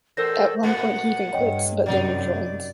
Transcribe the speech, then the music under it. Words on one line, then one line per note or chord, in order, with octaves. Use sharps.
At one point he even quits, but then rejoins.
E2 A2 A4 A#4 C5 G6 A#6
A#2 A3 B3 F#5
G2 C#5 D#5 G5
F#2 C3 F#3 D#4 D5